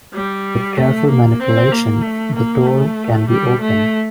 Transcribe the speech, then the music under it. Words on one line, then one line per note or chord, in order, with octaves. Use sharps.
With careful manipulation, the door can be opened.
G3
A3
A#3
C4
A#3
A3
A#3
A3
G3
A3